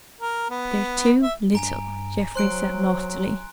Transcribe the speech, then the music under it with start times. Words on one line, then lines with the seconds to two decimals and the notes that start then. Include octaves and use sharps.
"They're too little," Geoffrey said loftily.
0.21 A#4
0.50 B3
1.22 E5
1.53 G2 G#5 A#5 D7
2.35 F#3 C5 C6 F#6 D7